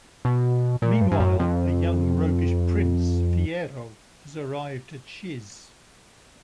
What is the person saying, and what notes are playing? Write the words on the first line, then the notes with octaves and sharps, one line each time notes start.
Meanwhile, a young roguish prince, Fiyero, has arrived at Shiz.
B2
A#2
G2
G2
F#2
F2